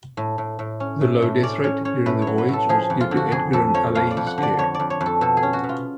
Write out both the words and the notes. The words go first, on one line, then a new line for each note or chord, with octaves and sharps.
The low death rate during the voyage was due to Edgar and Alley's care.
A2
A2
A2
C#4
A2
A2
C#4 D5
C#4 C#5
C#4 C#5
A2 B4
C#5
F#3
B4
A2 A4
F3 G#4
F2
F4
D3
F#4
F2 G#4
F2 A4
F3 C#5
F2 F5
D5
F2
F#5
D3
D5
F2 C#5
D5
F2
C#5
F2
A4
B2 A4
G#4
C#4
F#4
B2
F4